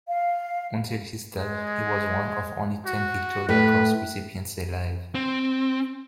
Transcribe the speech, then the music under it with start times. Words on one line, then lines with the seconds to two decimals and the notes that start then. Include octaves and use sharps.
Until his death, he was one of only ten Victoria Cross recipients alive.
0.08 F5
1.36 G#3
2.85 F#4
3.49 A2 B4
5.15 C4